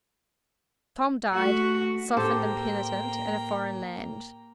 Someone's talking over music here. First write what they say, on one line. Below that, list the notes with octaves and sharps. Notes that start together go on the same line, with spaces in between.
Tom died, softened and penitent, in a foreign land.
A3 F#4
A2 A#3 G4 A4 C5 G5 A#5